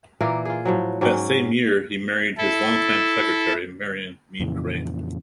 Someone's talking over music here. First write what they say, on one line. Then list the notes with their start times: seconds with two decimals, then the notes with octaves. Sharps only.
That same year he married his longtime secretary, Marion Mead Crain.
0.21 A#2 E3 A#3 A#4
0.45 F4 G#4
0.65 A2 F3 F#3
1.01 G#2 F#3 C#4 G5
2.38 E4 A4
4.40 F2 A#2 C#3 E3